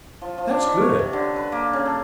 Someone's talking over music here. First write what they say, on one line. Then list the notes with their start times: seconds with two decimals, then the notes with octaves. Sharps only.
That's good.
0.22 F3
0.38 F3
0.51 D4
0.66 D#3
0.81 C#5
0.99 C3
1.13 D3
1.36 B4
1.52 A#3
1.73 C#3
1.85 A4